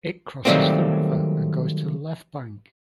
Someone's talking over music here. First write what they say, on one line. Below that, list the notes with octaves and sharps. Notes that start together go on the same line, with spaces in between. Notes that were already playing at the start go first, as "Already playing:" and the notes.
It crosses the river and goes to the left bank.
D#3 F#3 G3 A3 A#3 C4